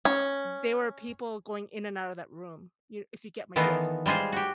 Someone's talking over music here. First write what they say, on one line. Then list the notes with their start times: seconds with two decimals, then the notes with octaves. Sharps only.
there were people going in and out of that room, you if you get my drift.
0.05 C#4
3.56 D#3 E3 A3 B3 D#4 F4
4.06 G3 G#3 F4 G#4 C5
4.33 F#4 G4